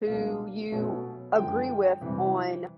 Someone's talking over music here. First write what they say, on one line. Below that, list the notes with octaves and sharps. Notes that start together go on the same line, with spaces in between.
who you agree with on
C#2 B2 G3 A#3 D4 F5
B2 F#3 A3 C#4
F#2 D3 F3 G#3 G5
C3 E3 G3